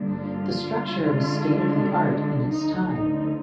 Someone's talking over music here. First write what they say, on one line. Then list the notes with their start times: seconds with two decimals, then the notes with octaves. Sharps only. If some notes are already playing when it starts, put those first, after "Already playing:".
The structure was state of the art in its time.
Already playing: G2 D3 F3 A#3 D4
0.20 F4
0.96 D3 G#3 D4
2.49 D2 D3 F3 D#4
2.88 D#4